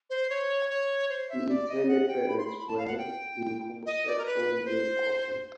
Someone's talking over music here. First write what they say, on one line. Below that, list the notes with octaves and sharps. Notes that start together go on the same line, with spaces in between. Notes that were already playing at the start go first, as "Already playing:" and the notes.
The intended parents were a homosexual male couple.
C5
C#5
C#5
C5
E5
D5
D#5
F#5
G5
B5
C6
B5
B5
A5
F5
F#5
G5
D#5
D5
A#4
B4
C5